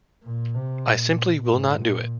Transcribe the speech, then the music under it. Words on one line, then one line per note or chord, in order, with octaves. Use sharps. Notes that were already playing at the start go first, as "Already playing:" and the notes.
I simply will not do it.
A#2
C3
A#2
G#2
A#2